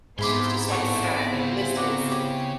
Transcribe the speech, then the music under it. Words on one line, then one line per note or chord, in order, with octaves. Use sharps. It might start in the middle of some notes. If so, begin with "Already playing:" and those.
she was just, like, sad and listless, and,
G#2 B3 C4 E4 G#4 B5 C6 D6
A2 G3 A4 C#6
D5
C#3
F#4 D5 A#5
G4 C#5